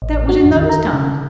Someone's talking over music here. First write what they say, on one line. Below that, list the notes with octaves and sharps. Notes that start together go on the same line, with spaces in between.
That was in those times.
A1
F#4
F2
D#3
A#5
C#3